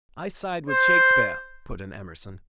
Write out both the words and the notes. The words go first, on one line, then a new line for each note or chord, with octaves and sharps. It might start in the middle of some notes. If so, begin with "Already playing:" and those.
"I side with Shakespeare," put in Emerson.
C5